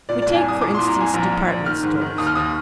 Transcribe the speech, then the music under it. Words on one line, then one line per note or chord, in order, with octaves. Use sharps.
We take, for instance, department stores.
A#2 D5
D5
C2
G#5
C2 D#6
A#2 D6
C6
C2
A#5
C2 G#5
A#1 A#5
A#1
A#1
D#3 F6
G#2
D#3
D#2 D#6
F6
D#2 D#6